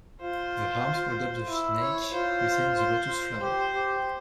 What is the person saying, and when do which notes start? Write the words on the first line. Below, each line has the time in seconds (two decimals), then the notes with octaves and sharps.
The arms hold up the snake within the lotus flower.
0.22 F4 C5
1.49 E4
1.82 C#5
2.13 F4 C5
2.77 C5
3.41 G4 C5
3.74 G4